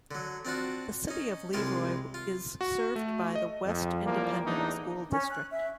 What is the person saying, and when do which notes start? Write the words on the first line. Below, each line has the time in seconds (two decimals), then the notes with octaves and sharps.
The City of Leroy is served by the West Independent School District.
0.11 D3 F#3
0.45 C4 D4 F4 F#4
1.08 C#4 D#4
1.53 C2 G#3 F4 G4 C6
2.14 F4
2.61 F#4
2.96 A3
3.35 D#5
3.66 F2
4.05 E2 F3 G3 A#3
4.45 A1 E2 E3 D4 D#4
5.10 C#4
5.29 F#6
5.50 E5